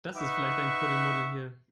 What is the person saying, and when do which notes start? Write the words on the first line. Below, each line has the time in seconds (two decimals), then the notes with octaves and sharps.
Das ist vielleicht ein Kuddelmuddel hier.
0.15 D#4 B4 E5 F#5 C#6